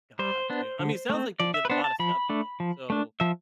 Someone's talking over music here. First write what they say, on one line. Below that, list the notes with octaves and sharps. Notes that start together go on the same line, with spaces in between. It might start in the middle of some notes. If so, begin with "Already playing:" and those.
Gotcha. I mean, it sounds like you did a lotta stuff today. So,
G3 C5
B3 D4
D3
A3 C4
F3 D5
E5
B4
B3 D4 C5
A5
F3 B5
A3 D4
F3
A3 D4
F3 E5